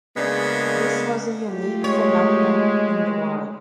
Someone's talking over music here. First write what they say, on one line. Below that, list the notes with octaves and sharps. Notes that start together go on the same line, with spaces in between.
This was a unique phenomenon in the world.
C#3 G#3 A#3 B3 D4
A3 F4 G4
G#3 C#5